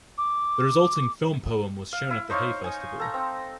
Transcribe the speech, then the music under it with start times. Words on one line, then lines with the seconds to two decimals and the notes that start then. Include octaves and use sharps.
The resulting film poem was shown at the Hay Festival.
0.18 D6
1.93 F5
2.10 E4
2.30 D#4 C5 C#5 F5
2.64 G#5 D#6
3.00 A4 A#5
3.14 C4